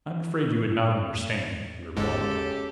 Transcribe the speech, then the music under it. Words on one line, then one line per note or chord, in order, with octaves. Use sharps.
"I am afraid you would not understand," he replied.
G1 G#2 C#3 G#3 G4 A4